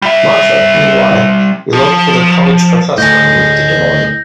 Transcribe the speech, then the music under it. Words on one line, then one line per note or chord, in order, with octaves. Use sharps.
Martha, meanwhile, eloped with a college professor and moved to Des Moines.
G3 E5
F3
D2 A2 D#5 G#5 G6 A#6